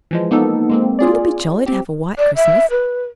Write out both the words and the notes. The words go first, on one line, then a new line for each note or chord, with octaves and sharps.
Wouldn't it be jolly to have a white Christmas?
E3 F3 G#3
A#3 B3 D#4 A4
G#3 A#3 C4
F4 G#4 D5
C4 G4
D5
E5
B4